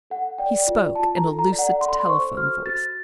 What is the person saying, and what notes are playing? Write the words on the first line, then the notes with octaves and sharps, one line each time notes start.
He spoke in a lucid telephone-voice.
A4 F#5
D5 G5
F4
F4 A5
A#5
A4
A#5
D5
F#5
A4 C6
B5
C6
C5 C#6
F#4 F6
F#4 A6